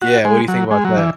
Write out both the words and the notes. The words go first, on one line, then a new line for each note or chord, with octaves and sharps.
Yeah, what do you think about that?
F#4
G#3
F#3
G#3
F#3
E3